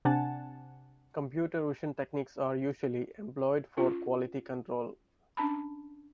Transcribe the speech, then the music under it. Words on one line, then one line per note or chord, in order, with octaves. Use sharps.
Computer vision techniques are usually employed for quality control.
C3 D4 F#5 G#5 A5
C#4 F4
C#4 D4 A5 B5